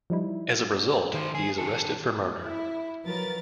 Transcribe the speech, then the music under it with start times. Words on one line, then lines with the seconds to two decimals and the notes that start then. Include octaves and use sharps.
As a result, he is arrested for murder.
0.10 F3 G3 D#4 E4
1.14 D#3 C5
1.35 G#4
1.58 D#3 A4
2.42 E4
3.04 F3 F#3 A#4 B4 A6